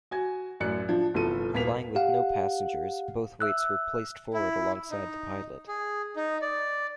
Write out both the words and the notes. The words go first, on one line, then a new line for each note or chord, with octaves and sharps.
Flying with no passengers, both weights were placed forward alongside the pilot.
F#4 G#5 G#6
A1 F#2 D5 F#6 C#7
F3 D4
G1 C2 F3 A4 D#7
D#1 A#3 B3 B6 F7
G4 F5 F#5
E5 E6 F#6
E4
D#4
G#4
D#4
D5